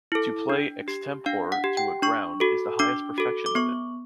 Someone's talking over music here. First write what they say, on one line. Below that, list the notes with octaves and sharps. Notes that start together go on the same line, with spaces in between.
To play extempore to a ground is the highest perfection of it.
E4 A4
D4
G4
D4 F5
F#5
G4
G5
D4 C#6
F#4 A4
D4 D6
F#4 A4
D6
B3 C#6